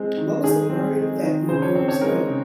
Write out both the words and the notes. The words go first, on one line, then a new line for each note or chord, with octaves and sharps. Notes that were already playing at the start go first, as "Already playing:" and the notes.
what was the word that you used? Oh
Already playing: G#3 C4
D#3
D#3 G#4
C4
G#3
D#3
C#3 C5
C#5
C4 C#5
C#5
G#3 A#4
C#3